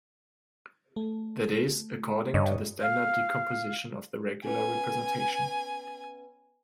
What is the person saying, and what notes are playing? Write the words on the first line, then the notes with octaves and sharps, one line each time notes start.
That is according to the standard decomposition of the regular representation.
A3
G2 C#5 D#5
F5
B3 C#4 B4 G#5